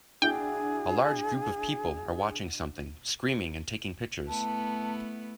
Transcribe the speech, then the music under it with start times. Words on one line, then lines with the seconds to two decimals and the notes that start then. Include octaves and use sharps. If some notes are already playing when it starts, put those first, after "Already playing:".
A large group of people are watching something, screaming, and taking pictures.
0.22 D4 E4 F#4 G#4 G5
4.28 A3 B3 E4 A5